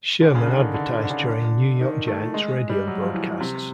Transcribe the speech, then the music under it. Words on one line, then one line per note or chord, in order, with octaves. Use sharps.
Sherman advertised during New York Giants radio broadcasts.
D3
C#3
D3
D#3
D3
D3
D3
C#3
D3
D#3
A3
G#3
G#3
G3
F#3
F3
E3
C3